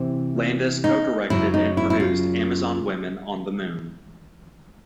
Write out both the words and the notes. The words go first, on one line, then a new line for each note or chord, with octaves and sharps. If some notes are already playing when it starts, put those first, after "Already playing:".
Landis co-directed and produced "Amazon Women on the Moon".
Already playing: C3 E3 C4
D#4
F#2 C#3 F#3 E4
D#4
E4
E4
F4